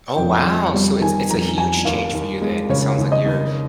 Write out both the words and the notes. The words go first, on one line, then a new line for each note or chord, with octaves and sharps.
Oh, wow. So it's it's a huge change for you then. It sounds like you're
F2 G5
F2
G3
D#3 G#5
F2 A#5
F2 G#5
D#2 F5
D#2
G#3
C#3 C#5
D#2
D#5
D#2